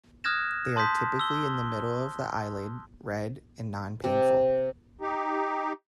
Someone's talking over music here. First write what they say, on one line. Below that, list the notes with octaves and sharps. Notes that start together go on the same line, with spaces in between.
They are typically in the middle of the eyelid, red, and non painful.
D#6 F6 F#6 G#6 A#6 E7
A5 C6 D#6 G6 B6
E6 G7
C3
D#4 G4